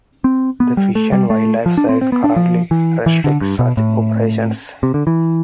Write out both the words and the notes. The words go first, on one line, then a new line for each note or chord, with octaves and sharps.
The Fish and Wildlife Service currently restricts such operations.
C4
B3
G3
A3
G3
A3
F3
D4
C4
C4
B3
D4
F3
E3
E3
D3
G2
B2
A2
C3
D3
E3